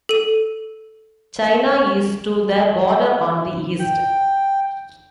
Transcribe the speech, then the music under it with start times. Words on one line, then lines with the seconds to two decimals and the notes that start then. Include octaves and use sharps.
China is to the border on the east.
0.09 A4 D#7
3.80 G5